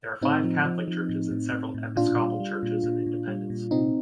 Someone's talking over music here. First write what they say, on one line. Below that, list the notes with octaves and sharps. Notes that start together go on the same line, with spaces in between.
There are five Catholic churches and several Episcopal churches in Independence.
A2 C4 D#4
F3
F3
F3
A2
A2
A2
A2
A#2 D4 F4
G3
G3
A#2
A#2
A#2
G3
A#2
C3 C4 D#4